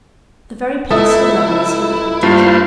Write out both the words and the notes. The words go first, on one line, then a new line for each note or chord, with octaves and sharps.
"The very place for lovers," he repeated.
C#2 E4 A4 E5 D#6
G2 A#3 F4 C5 F5